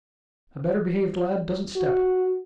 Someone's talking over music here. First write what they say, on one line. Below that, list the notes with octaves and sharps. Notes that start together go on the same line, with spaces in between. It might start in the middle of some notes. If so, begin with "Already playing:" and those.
A better-behaved lad doesn't step.
F#4